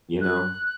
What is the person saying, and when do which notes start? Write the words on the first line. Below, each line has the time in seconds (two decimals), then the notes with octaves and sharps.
You know?
0.21 F#6